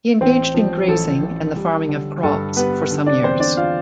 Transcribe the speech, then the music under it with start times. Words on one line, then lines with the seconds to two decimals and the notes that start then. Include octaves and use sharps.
He engaged in grazing and the farming of crops for some years.
0.21 A1 C4 C5
0.54 F3
0.88 A1 A4
1.23 A1
1.56 G3
1.89 D3
2.23 G2 A4
2.56 G3 B3 B4
2.91 D3
3.06 D4 D5
3.23 E2 C4 C5
3.40 D4 D5
3.57 D4 F4 F5